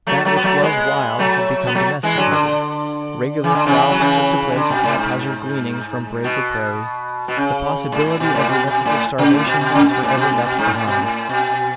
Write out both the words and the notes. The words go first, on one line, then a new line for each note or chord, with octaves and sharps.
That which was wild had become domesticated; regular crops took the place of haphazard gleanings from brake or prairie; the possibility of electrical starvation was forever left behind.
F#3 A3
F#3 A3
B3
F#3 A3
G#3 B3
F#3 A3
B3
F#3 A3
E3 G#3
D3 F#3
D3
E3
D3
C#3 E3
F#3
C#3 E3
D3
B2
A2
G#2
B2
B2
C#3
A2
A2
B2
A2
B2
B2
A2
C#3
A2
B2
B2
D3
C#3
A2
B2
A2
B2
A2
B2
G#2
A2
B2
A2
B2